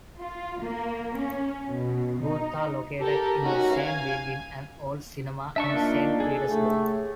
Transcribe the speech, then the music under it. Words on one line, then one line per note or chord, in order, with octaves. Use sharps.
Both are located in the same building, an old cinema in Saint Petersburg.
F4
A#3
C#4
B2
D#4
G4 A4 A#4
C#4 D#4 F#4
F5 G#5
D4 E5 A5 C#6
A#3 D#4 F4
G#4 A4
A2 C3 A3